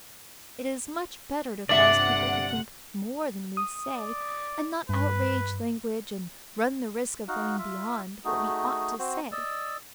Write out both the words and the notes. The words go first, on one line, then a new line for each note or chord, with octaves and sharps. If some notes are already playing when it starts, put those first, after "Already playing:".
It is much better to cause people to think more than we say, and not outrage language, and run the risk of going beyond what we ought to say.
G1 C3 D4 D5 E5 F#5 F#7
D#6
D5
G2 B4
D#4 F#4 F5 F#5
F4 E5
A3 D#4 F#4 G#4
C4 F#4 C5
D5 D#5 E6